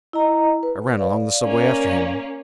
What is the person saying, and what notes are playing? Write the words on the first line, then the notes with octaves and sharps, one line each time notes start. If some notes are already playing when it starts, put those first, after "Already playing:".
I ran along the subway after him.
E4 D#5 A#5
B4
D5 F5
A#3 C#4